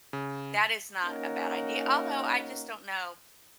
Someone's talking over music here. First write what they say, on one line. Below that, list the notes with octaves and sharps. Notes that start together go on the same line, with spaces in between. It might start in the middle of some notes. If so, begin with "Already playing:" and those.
That is not a bad idea. Although, I just don't know.
C#3
A#3 C#4 D#4 F#4 A#4